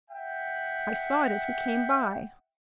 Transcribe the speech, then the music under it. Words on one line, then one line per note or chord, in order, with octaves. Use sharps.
I saw it as we came by.
E5 F#5 G5